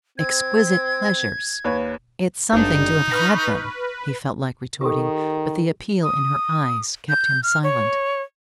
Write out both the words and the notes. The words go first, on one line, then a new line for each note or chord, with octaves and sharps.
"Exquisite pleasures--it's something to have had them!" he felt like retorting; but the appeal in her eyes kept him silent.
C4 G#6
D#2 B4 C#5
G#1 G2 D4 D#4
B4 C#6 F6 A#6
D#3 G4 A4
D#6
G6
F6
C#5